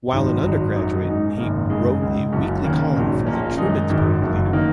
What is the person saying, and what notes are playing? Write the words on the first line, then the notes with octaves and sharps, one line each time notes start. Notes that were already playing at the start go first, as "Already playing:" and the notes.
While an undergraduate, he wrote a weekly column for the "Trumansburg Leader".
G#1 G#2 F#3 D#4
G#1 G#2 F#3 D#4
F#2 F#3 D#4
G#2 G#3 D#4
G#1 F#2 C#3 A#3
F#2 C#3 G#3 D#4
C#2 C#3 G#3
F#1 F#2 F#3 C#4
D#2 C#3 A#3 C#4
A#1 G#2 F#3 C#4
A#1 A#2 A#3 C#4
F#2 D#3 G#3 D#4
G#1 F#2 D#3 F#3
F#1 F#2 D#3 F#3
D#3 A#3 D#4